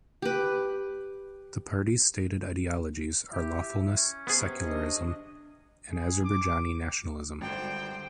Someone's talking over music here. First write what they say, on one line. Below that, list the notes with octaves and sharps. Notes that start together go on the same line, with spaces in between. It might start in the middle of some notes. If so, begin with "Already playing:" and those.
The party's stated ideologies are lawfulness, secularism, and Azerbaijani nationalism.
G4 B4
E4 G4
C#4
C3 B3 G#4
D4 D#5
G#4
D6
G#1 G2 D3 C5 G5